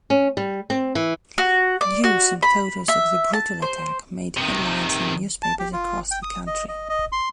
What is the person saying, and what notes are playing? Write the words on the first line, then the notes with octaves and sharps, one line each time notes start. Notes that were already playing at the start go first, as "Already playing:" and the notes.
News and photos of the brutal attack made headlines in newspapers across the country.
C#4
G3
C4
E3
F#4
D5
F#4
B5
E5
A5
C5
C3 D#3
A5
G4
F4
G5
D#6
D#5
D#5
D#5
C6